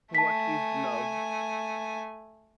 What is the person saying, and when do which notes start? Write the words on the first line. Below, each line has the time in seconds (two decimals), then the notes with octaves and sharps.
What is love?
0.15 A3 G#5 A5 B6